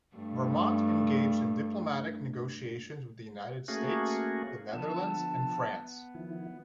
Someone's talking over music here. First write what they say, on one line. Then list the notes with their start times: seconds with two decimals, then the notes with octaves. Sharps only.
Vermont engaged in diplomatic negotiations with the United States, the Netherlands, and France.
0.16 G2 A3
3.68 A3 A#3 C#4 F#4 G#4
4.73 D3 F3 B3 A5 E6
6.15 D#3 F3 E4